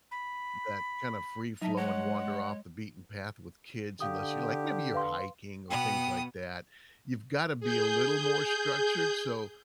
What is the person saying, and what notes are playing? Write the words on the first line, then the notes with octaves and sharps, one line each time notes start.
that kind of free flowing wander off the beaten path with kids unless you're, like, maybe you're hiking or things like that. You've gotta be a little more structured, so,
B5
F#3 D#4 E5 A5
G#3 C#5 F#5
D3 G4 F5 D#6
B4 F5 C6
B2 B3 G5 D#6
G#4 G6